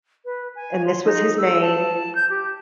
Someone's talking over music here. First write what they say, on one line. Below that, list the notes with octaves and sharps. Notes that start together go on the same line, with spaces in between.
and this was his name,
B4
G#5
C6
D#4
E6
A5
G6
G4